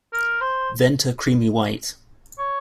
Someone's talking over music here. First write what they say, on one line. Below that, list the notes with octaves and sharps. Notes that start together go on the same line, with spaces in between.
Venter creamy white.
A#4
C5
C#5